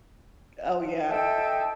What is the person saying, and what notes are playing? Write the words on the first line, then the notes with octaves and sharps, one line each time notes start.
Oh, yeah.
A4 D#5 E5 G5